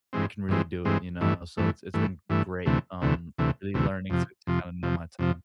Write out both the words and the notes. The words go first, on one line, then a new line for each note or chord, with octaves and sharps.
I can really do it, you know? So it's it's been great, um, really learning to to kinda know my time.
G2 E3 G#3 C4
G2 E3 G#3 C4
G2 E3 G#3 C4
G2 E3 A3
G2 E3 A3
G2 E3 A3
G2 E3 A3
D2 C3 E3 A3
D2 C3 E3 A3
D2 C3 E3 A3
D2 C3 E3 A3
F2 C3 F3
F2 C3 F3
F2 C3 F3
F2 C3 F3